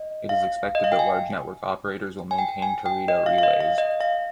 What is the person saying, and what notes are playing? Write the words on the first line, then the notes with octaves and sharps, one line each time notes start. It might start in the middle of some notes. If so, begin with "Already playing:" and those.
It is expected that large network operators will maintain Teredo relays.
Already playing: D#5
F5
D#5
F5
G5
G#5
G#5
G5
G#5
G5
D#5
F5
F5
D#5
F5
D#5
F5